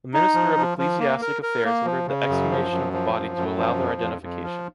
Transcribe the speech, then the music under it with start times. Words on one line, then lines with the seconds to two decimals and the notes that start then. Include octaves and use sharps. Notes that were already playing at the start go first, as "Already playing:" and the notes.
The Minister of Ecclesiastic Affairs ordered the exhumation of the body to allow their identification.
0.14 D#4
0.34 F3
0.57 F3
0.78 F3
1.00 A#3
1.21 A#4
1.42 A#4
1.65 A#3
1.85 F3
2.07 C#3
2.29 F#2
2.50 F3
2.72 F#2
2.93 F3
3.15 F#2
3.37 F#2
3.58 F3
3.80 F2
4.01 F2
4.22 F2
4.43 F3